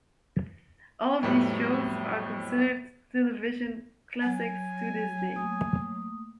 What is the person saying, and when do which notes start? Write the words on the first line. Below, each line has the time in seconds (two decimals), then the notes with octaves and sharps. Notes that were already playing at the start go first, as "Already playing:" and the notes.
All of these shows are considered television classics to this day.
1.23 F2 A2 F#3 G3 A3 B3
4.23 F#3 G#5
5.36 A3 A#3 D#6